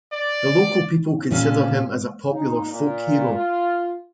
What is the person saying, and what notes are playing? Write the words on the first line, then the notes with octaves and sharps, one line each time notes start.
The local people consider him as a popular folk hero.
D5
A#2 G3 C#4 A4 F5
D#4
A#2
F4